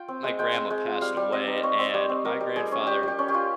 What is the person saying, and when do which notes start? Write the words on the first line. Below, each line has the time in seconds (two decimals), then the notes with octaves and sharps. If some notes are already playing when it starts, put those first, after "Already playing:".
my grandma passed away, and my grandfather,
Already playing: F4 G5
0.08 C4
0.24 G#3
0.39 G#3 G5
0.54 C4
0.70 G#3
0.85 F4
1.01 G3 F5
1.17 G3
1.32 C4 D#5
1.47 D#4
1.63 C4 C#5
1.79 C4
1.94 G3 C5
2.09 C4
2.25 G3 A#4
2.40 G3
2.56 G3 G#4
2.72 C#4
2.87 G3 G4
3.03 G3 G4
3.19 C#4
3.28 G4
3.34 F4